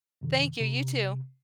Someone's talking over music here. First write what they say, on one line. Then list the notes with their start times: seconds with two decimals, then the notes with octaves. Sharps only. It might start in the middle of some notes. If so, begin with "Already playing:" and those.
Thank you, you too.
0.21 F#2 C3 D#3
0.61 C3